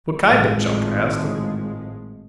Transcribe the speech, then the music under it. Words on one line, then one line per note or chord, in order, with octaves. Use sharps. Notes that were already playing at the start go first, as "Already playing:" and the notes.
"What kind of junk?" I asked him.
G#1 A2 F3 G#3